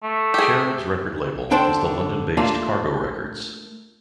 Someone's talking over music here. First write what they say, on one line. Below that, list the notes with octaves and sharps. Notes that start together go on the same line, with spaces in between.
Cherubs' record label is the London-based Cargo Records.
A3
G4 G#4
D3 D4 C5 G5 A5 C6
A3 A#3 D4 F4